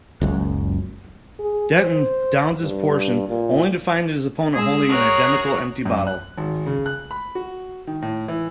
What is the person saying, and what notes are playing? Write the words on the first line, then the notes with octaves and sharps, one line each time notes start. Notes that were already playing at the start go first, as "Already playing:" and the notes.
Denton downs his potion only to find his opponent holding an identical empty bottle.
F#1 C#2 F#2
G#4
C5
G2
A#2
G#3 G#4 E6
F#4 A#4 C#5
F#2
F#6
G#1
C#3
F#6
B5
F#4
D#3
A2
E3